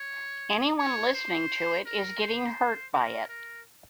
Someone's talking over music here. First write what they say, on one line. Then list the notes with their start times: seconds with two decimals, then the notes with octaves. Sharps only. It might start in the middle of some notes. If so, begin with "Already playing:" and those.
Anyone listening to it is getting hurt by it.
Already playing: C#5
0.78 C#5
1.14 C5
1.86 A#4
2.21 C5
2.94 A#4
3.29 A#4